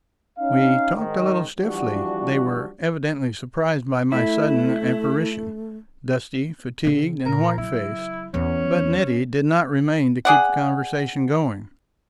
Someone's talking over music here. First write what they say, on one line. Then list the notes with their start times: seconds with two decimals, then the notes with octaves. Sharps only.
We talked a little stiffly--they were evidently surprised by my sudden apparition, dusty, fatigued, and white faced; but Nettie did not remain to keep the conversation going.
0.39 C#4 D#4 F5
0.96 G#2 D#3
1.59 E3 F3 G3 D4 F#4
4.12 A3 E4
6.85 C#3 C4
7.26 A#2 A#4
7.58 C#3 F#3 E4
8.34 E2 C#4
10.25 G#4 D5 F#5